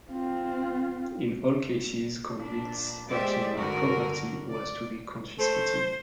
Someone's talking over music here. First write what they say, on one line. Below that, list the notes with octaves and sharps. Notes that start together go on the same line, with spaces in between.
In all cases convicts' personal property was to be confiscated.
C4 F4
A#2 D4
G#3 G4 C5 D5 E5
G2 D3 F#4 A#4
D5
A3 C5